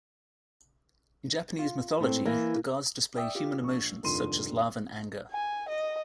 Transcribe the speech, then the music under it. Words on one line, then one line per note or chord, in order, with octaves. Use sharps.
In Japanese mythology, the gods display human emotions, such as love and anger.
F4
A2 A3 C4
E3 A#3
D5 E5 G5 D#6 E6
F4 G4
A#1 C#6
F1 G2 D#3 F3 C6 D#7
G#5
D#5